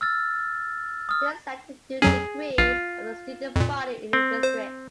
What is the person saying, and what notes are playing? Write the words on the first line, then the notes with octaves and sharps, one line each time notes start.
This led to the decrease of the student body in the district.
E6 F6 A6
D#6 F6
F2 F#3 C#4 G#4
A#1 F4
F2 A#2
C4
C5